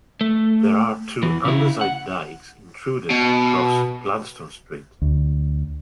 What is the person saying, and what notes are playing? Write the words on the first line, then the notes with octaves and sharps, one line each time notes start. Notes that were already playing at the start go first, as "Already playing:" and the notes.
There are two andesite dykes intruded across Gladstone Street.
A3
E2 E3
C#3 E4
F#5
B2
D2